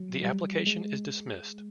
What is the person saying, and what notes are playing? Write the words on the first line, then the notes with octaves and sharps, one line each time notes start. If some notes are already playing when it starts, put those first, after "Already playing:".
The application is dismissed.
Already playing: F#3
G3
G#3